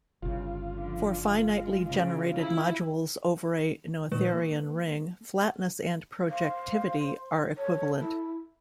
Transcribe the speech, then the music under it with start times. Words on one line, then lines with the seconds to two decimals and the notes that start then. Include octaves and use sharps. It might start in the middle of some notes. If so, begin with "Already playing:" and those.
For finitely generated modules over a Noetherian ring, flatness and projectivity are equivalent.
0.23 G1 C#3 F4
0.73 D3 F3
1.44 G#3
1.90 C#3
2.38 E4
4.12 A#2 D#3 G#3 B4
4.33 A#3
6.30 C5 F5
7.57 A4 C#5
8.00 E4